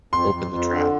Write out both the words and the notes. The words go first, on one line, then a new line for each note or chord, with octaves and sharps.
Open the trap.
F2 C6
F2
F2
D3